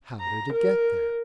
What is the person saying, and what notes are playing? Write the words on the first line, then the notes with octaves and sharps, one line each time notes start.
How did it get there?
A#5
A#4